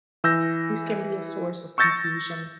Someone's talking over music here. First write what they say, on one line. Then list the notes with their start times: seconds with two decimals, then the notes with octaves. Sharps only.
This can be a source of confusion.
0.24 E3 E6 G6 A#6
1.78 C#6 E6 G6 A6 A#6 C#7